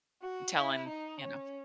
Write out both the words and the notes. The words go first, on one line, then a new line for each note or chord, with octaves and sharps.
telling you know,
F#4
E4
D#4
C#4